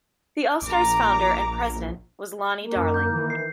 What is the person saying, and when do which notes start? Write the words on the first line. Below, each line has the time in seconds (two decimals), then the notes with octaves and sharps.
The All-Stars' founder and president was Lonnie Darling.
0.62 A#1 A#5 D6
2.61 A#3
2.76 F#2
2.94 G6
3.10 D#3 E3
3.30 C7